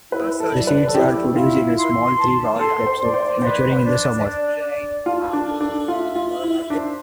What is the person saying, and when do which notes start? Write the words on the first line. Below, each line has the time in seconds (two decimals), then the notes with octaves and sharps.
The seeds are produced in a small, three-valved capsule, maturing in summer.
0.12 E4 B4
0.40 A4
0.53 D5
0.67 B4
0.88 A4
0.94 E4 G4
1.35 E4 F4
1.77 C6
2.18 A5
2.59 A4 C6
2.86 C5
3.00 D5
3.14 C5
3.41 B4 C5
3.83 D4
4.23 D4
4.65 D5
5.06 F4 A5
5.33 D4
5.47 A4
5.61 D4
5.88 F4 E5
6.15 F4
6.30 E5
6.43 E4
6.70 D4 C5